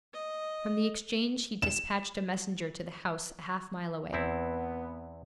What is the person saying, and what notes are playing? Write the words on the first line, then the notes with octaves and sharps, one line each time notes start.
From the exchange he dispatched a messenger to the house a half-mile away.
D#5
E7
E2 B3 C4 E4